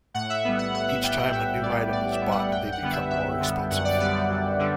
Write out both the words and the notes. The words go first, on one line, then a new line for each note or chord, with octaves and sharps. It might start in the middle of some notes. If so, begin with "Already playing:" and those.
Each time a new item is bought, they become more expensive.
A2 F#5
E5
G3 B3
F#5
A2 F#5
E5
G3 B3 G5
F#5
A2 E5
G3 B3 D5
A2 D5
E5
B3
G3 F#5
F#2 G5
F#5
D3 G3 B3
E5
F#2 E5
D3 G3 B3
F#2 F#5
D5
D3 G3 B3 D5
F#2
D3 G3